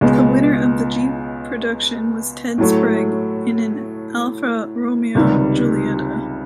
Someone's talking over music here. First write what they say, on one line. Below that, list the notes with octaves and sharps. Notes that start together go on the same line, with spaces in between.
The winner of the G-Production was Ted Sprigg in an Alfa Romeo Giulietta.
C#2 B2 G#3 B3
A2 F#3 A3
C#2 C3 D#3 G3